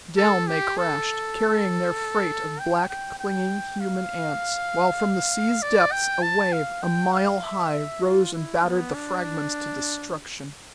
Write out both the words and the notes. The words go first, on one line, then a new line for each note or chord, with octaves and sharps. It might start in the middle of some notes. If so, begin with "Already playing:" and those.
Down they crashed, carrying their freight of black, clinging, human ants, while from the sea's depths a wave, a mile high, rose and battered the fragments to destruction.
A4
G4
A4
G5
G5
G5
F5
D5
G5
A5
F5
G5
F5
E5
F4
E4
B3
D4